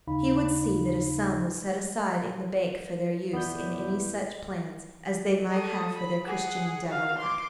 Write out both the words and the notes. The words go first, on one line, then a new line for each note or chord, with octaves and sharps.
He would see that a sum was set aside in the bank for their use in any such plans as they might have for their Christian Endeavor work.
D#2 C#3 D#4 F5 B5
E2 B2 B3 E4 D5 G6
A4 D#6
B5
G#4 F#5
F#4 F5
C6 D6